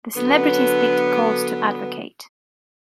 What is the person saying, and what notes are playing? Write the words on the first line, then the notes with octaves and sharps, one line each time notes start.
The celebrities picked a cause to advocate.
D3 F#3 B3